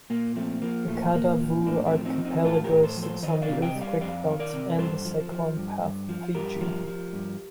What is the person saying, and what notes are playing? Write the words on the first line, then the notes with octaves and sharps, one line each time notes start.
The Kadavu archipelago sits on the earthquake belt and the cyclone path of Fiji.
A#2 A#3
F3 A3 C4
F3 A#3
A#2 A3
A#2 A#3
F3
C4
A2 A#3 D4
A3 C4
F3
C4 D#4
F3
C4 D#4
A2 F4 A4
G4 A#4
A2
A4 C5
F3
A4 C5
D#3 C5 D#5
D5 F5
C3
D#5 G5
G3
D5 F5
F2 D5 F5
D#3
A#4 D5
C3
G2 A4 C5
F3
F3
G2
G2
F3
G2 G4 A#4
F3
F3
G2